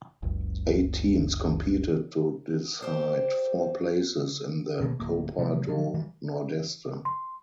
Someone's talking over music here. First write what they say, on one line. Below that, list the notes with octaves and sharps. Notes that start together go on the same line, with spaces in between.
Eight teams competed to decide four places in the Copa do Nordeste.
F#1 C#2
G4 C5 D5
B2 D#3 G#3 A#3
D1 A#3
C3 F3 G3 A3
D3 F3 F#3 D4
D#3 E3 G3
C6